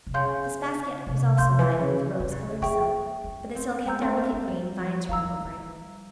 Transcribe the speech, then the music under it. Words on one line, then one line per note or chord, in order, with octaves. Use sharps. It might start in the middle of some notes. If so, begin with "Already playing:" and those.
This basket was also lined with rose-colored silk, but the silk had delicate green vines running over it.
C3
C#3 F5 C6 G6
C3
C3 F5 C6 G6
E3
C#3
E3
C#3
A#3 G#4 E5 G5 C#6
C#4
C4
G#3 C5 G5 A#5 E6 G6
C4
A#3
G#3
G3
F3
F3 F5 A#5 E6
G3